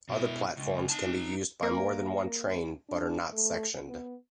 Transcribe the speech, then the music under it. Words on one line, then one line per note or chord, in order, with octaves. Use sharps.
Other platforms can be used by more than one train, but are not sectioned.
B2 E4
C#2
D#4 A5
A#3 A#4
D4
A3
B3